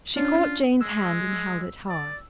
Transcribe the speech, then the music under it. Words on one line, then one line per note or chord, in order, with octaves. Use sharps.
She caught Jane's hand and held it hard.
C#4 D4 F4
G#3 E6
D5